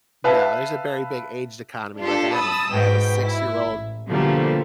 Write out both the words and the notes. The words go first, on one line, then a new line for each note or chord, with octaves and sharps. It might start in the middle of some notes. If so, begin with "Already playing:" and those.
No, there's a very big age dichotomy, like, I have a f I have a six-year-old
B4 E5 F5 A5
D4 F4 G4 A4
A5 B5 D#6 E6
G#2 B2 G5 B6
E4
A1
B2 D3 F3 G3 A3 A#3